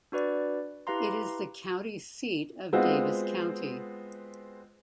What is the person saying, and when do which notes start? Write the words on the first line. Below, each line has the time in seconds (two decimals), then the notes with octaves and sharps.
It is the county seat of Davis County.
0.12 D4 F#4 B4 D5
0.87 E4 G4 B4 F5 A#5 C6
2.73 G#3 B3 C4 F4 F#4